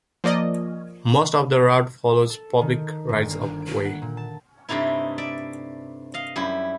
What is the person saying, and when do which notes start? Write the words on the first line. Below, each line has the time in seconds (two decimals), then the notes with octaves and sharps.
Most of the route follows Public Rights of Way.
0.24 F3 A#3 D5 D#5
2.30 A4
2.61 D#3
3.09 G1
3.30 A#3
3.62 D7
3.85 F#5
4.02 A#2
4.17 A5
4.69 G2 C3 A3 D#4 E4
5.18 D5 E5
6.14 D#5 F5
6.36 F#2 G3 E4